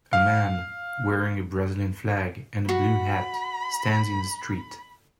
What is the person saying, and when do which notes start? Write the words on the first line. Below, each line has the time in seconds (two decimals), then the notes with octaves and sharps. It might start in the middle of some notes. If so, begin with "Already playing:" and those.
A man wearing a Brazilian flag and a blue hat stands in the street.
0.13 F5
2.69 F#4 B5